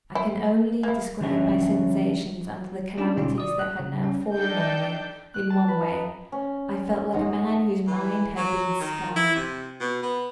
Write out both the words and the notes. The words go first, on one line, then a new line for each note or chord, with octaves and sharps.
I can only describe my sensations under the calamities that had now fallen on me in one way: I felt like a man whose mind had been stunned.
E4
A#3 E4
D3 F3 F#3 C#4 E5
G3 C#4 D4 F4 G4
B2 D3 C#4 D#4 F4
D5 D#6
F#6
C#3
C#4
D4 D#4 A4 G5 G6
F#6
A5
B4
D#4
C#4
D#4 F#5 C6
E3
F#3
D#3
E4
C3
B2
B3